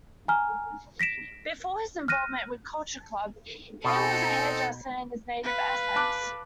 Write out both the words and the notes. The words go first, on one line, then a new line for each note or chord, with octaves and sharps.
Before his involvement with Culture Club, Hay was a hairdresser in his native Essex.
G#5 A#5 F6
A#6 B6 D7 E7
F6 F#6 A#6 D#7
B2 C4 D#4 A4
B4 F5
A5 D6 F#6